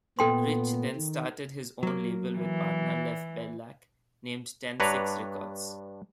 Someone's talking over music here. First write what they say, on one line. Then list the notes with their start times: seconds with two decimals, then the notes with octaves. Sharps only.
Rich then started his own label with partner Lev Berlak, named Ten-Six Records.
0.19 A#2 B3 A4 G5 C6
0.96 D#3
1.83 F#3 A#3
2.37 E3
4.80 G2 D4 B4 C#5 A#5